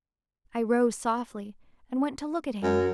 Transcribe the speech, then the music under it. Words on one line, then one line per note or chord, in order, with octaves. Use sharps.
I rose softly, and went to look at him.
F#2